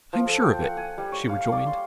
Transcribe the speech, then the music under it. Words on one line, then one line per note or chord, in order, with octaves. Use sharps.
"I am sure of it," she rejoined.
F3
A4
G5
F#5
G#5
G3
C#5
F5
D5
C6